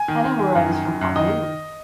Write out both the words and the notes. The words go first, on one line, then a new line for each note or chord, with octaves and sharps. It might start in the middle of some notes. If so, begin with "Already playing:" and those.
Kanemura is from Honolulu.
Already playing: G#5
D#3
D#3
D#3
F#2
D#3
F#2
F#2
D#3 D#5